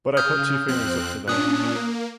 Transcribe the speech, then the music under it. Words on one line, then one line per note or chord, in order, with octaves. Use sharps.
But I put two fingers up to them.
C#3 D#6 F6 G6
F2 C4 F#6
A#2 C#4 D4 D#6 F#6
A#3